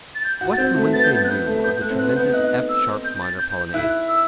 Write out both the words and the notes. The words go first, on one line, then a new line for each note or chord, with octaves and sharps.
What can one say new of the tremendous F sharp minor Polonaise?
A6
G6
F#4
A6
C4 G6
A3
B3 A6
G6
B3
A6
F#6
B3 G6
A3
B3 G6
A3 F#6
C4
B3 F#6
B3 G6
D#4 F#6
E6
G6
A6
G6
G6
E4 F#6
E6